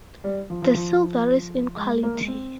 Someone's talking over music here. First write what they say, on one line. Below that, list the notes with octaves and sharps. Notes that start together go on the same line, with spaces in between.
The seal varies in quality.
G3
F3
F3
F3
G#3
A#3
G#3
C4